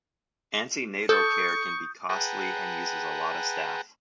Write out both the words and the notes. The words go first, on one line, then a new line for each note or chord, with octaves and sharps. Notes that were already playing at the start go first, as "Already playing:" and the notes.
Antenatal care can be costly and uses a lot of staff.
A4 C#6 D#6 G6
G#4 B4 F#5 G5 A5 A#5